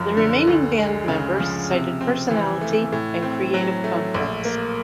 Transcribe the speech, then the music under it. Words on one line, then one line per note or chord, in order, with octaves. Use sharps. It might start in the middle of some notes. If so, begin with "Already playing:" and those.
The remaining band members cited personality and creative conflicts.
Already playing: F#1 F#2 F3
D3
D2
G#3
C#3
F3
C3
C4
E3
A3
A2
C4
F#3
A3
A#1
A#3